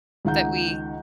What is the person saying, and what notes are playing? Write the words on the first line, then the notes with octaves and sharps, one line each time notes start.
that we
C#2 D#3 F#5 G6